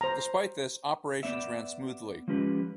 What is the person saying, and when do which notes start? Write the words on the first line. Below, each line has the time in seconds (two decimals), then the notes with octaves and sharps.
Despite this, operations ran smoothly.
0.01 C5 A#5
1.23 B3 D5 E5
2.28 F3 G#3 C#4 G4 B4